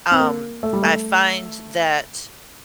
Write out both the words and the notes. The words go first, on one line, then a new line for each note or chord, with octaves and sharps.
um, I find that
C4
A#3
A3
G3
A3